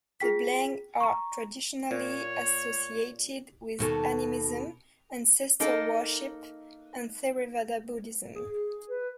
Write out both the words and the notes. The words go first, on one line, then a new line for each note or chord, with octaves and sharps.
The Blang are traditionally associated with animism, ancestor worship, and Theravada Buddhism.
F4 G#4 G5 B6
A#5 C#6
A#2 C#5
D#2 B2 A4
A#3 D#4 A4 A#4
G#4
B4